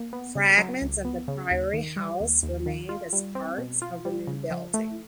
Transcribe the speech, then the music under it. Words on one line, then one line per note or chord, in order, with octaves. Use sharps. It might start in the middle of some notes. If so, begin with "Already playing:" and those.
Fragments of the priory house remained as parts of the new building.
Already playing: A#3
B3
C#3
F#3
C#2
B3
C#3
D#2
D#3
G3
D#2
D#2
D#3
F4
G3
C4
B2
F4
G3
C#3
F3
A3